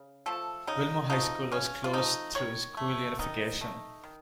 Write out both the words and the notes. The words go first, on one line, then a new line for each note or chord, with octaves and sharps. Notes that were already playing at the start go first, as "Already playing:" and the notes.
Wilmore High School was closed through school unification.
Already playing: C#3
F3 A3 A4
C#3 D#4
F3 A3 D#4
C#3 C#4
F4
F3 A3 D#4
D#3 C#5
A3
D#3 D#4
A3
D#3